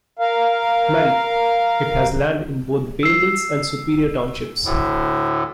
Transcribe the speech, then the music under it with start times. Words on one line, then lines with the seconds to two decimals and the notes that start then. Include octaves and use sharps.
Marie; it has land in both Bay Mills and Superior townships.
0.19 A#4 F5
3.03 E6 C7
4.65 D2 A2